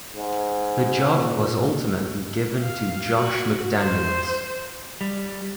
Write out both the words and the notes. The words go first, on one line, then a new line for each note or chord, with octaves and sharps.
The job was ultimately given to Josh McDaniels.
G#2
A#2
F5
F#4
C5
G3